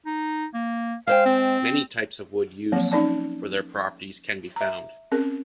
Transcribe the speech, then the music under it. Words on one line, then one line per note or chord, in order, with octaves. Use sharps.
Many types of wood used for their properties can be found.
D#4
A#3
G#3 C5 F5 G5
C4
F3 F#3 A#3 C4
C#4 D#4 D5 A5
E5 A#5
C4 C#4 G#4 A#4